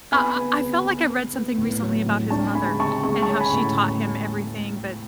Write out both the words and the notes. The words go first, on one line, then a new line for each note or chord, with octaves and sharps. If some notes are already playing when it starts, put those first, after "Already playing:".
I I I felt like I read something recently about his mother, and how she taught him everything, but
B3 G#5 B5
B3
B3
B3
B3
B3
A2
F#3
A2
D4 A5 C#6
G#3 G#5 B5
C#3 A5 C#6
G#3 A5 C#6
A5 C#6
C#4
G#5 B5
A2